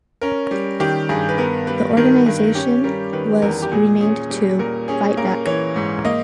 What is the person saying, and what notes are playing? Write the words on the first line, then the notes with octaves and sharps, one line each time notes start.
The organisation was renamed to "Fightback".
C#4 A#4
G3
D#3 G4
G2 G#4
B4
B3 A#4
G3 B4
D#3 A#4
G2
C#4 G4
G3 A#4
D#3 B4
E2 A#4
G4
A#2 G#4
C#4 G#4
G3
A#2 A#4
C#4 G#4
A#3 A#4
E3 C#5
G#2
A#3 D#5